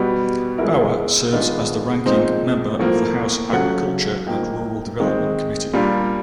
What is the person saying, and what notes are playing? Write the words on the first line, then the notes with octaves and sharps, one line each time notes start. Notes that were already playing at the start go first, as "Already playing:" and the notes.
Bauer serves as the ranking member of the House Agriculture and Rural Development Committee.
Already playing: B2 G3 B3
F3 G#3 B3 E4 A#4
D#3 G#3 B3 D4 F4 B4
A#2 F3 G#3 C4 D#4 C5
A2 F3 A#3
C#3 F#3 A3 C#4 F#5
F3 A#3 D#4 G5
D#3 G#3 C4
A#2 G3 A#3 D4 F4